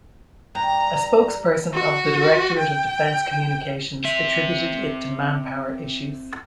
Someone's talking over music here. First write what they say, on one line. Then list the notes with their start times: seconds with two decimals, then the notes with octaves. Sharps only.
A spokesperson of the Directorate of Defense Communications attributed it to manpower issues.
0.55 G2 A#5
1.74 F#4
2.59 G5
4.04 C4 E5